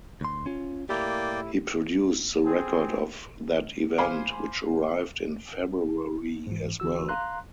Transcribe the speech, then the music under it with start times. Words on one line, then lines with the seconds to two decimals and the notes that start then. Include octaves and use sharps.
He produced the record of that event, which arrived in February as well.
0.21 D2 C6
0.46 C#4 F4
0.89 A2 A#3 E4 G4 D5 G5
2.45 C4 G#4
3.98 C5 F5 G#5 B5 C6 D6
6.47 G#2 E3
6.80 D2 E3 F#4 E6
7.09 F5 A#5 C6 F#6